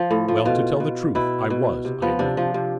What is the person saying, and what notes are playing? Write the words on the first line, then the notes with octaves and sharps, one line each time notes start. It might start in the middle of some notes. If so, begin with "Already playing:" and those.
"Well, to tell the truth, I was," I admitted.
Already playing: F3
A2
F3
B2 F4
B2
B2 E4
B2
C3
F3 B3
C3 D4
F3
C3